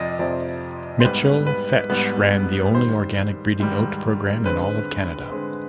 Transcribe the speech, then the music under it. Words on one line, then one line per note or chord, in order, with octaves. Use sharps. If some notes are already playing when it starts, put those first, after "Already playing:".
Mitchell Fetch ran the only organic breeding oat program in all of Canada.
Already playing: F2 C3 F3 D5 D#5
F2 C3 F3 C4 D5
C5
G#2 G3 B3 B4
B4
G#2 G3 B3
G#2 D#3 G3 C5
G#2 D#3 G3
D3 G#3 C4 B4
D3 G#3 C4